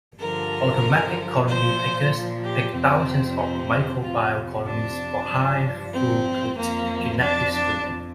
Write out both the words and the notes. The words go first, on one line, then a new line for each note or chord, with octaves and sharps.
Automatic colony pickers pick thousands of microbial colonies for high throughput genetic screening.
G2 D3 F3 A#4
A#2 F3 C5
G4
F2 C3 F3 C4
C4
F2 C3 F3 F4
D4
G2 F3
C4
F2 F3 A#3
D4
D4
F2